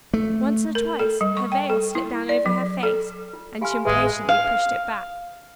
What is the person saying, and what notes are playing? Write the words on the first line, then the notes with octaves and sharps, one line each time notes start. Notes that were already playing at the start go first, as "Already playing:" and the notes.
Once or twice, her veil slipped down over her face, and she impatiently pushed it back.
A3
A#4
A4
G3
C#6
G5
A4
E4
D5
F#3
A4
F4
G4 F5 G#5 B5 C6 F6
G#1 A2 G#3 G#4 B4 E5 G#5
F5